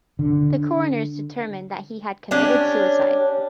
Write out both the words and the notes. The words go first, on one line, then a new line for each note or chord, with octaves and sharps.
The coroners determined that he had committed suicide.
D3
C#4 D4 G4